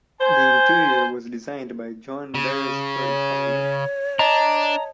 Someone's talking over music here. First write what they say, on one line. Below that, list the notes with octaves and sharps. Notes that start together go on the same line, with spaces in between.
The interior was designed by John Beresford Fowler.
C5 G#5
C#3
C#5
D4 D#5 A5 A#5